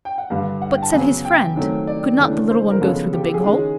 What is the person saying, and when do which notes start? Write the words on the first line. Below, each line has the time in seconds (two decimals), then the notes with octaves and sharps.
"But," said his friend, "could not the little one go through the big hole?"
0.05 G5
0.18 F#5
0.30 G2 D3 G3 F5
0.62 F#5
0.72 G5
0.83 A5
0.93 C#3 F#3 B3 G#5
1.25 G5
1.56 D#3 F#3 A3 C4
1.87 D5
2.19 C#3 E3 A3 D4
2.50 C5
2.71 A#4
2.81 C#3 F3 G#3 B3 A4
3.13 G4
3.24 G4
3.34 G#4
3.45 D#3 G#3 C#4